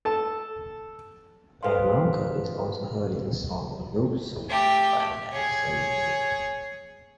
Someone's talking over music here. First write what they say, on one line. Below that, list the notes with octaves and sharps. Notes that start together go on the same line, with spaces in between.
Waronker is also heard in the song "No Soul" by the band Say Anything.
A4 A5
A4 B4 C5 F5 C6
A3 G4
G#4 C#5